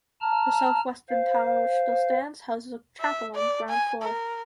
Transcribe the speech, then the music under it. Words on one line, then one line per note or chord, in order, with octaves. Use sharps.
The south-western tower which still stands, houses a chapel on the ground floor.
A5 A#5 F6
C5 F5
E5
D5
G#5
A#4